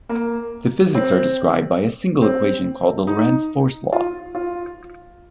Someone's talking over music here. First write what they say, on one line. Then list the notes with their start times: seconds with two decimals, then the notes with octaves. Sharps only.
The physics are described by a single equation called the Lorentz force law.
0.09 A#3
0.95 C4
2.22 C4
3.07 D#4
3.92 F4
4.35 F4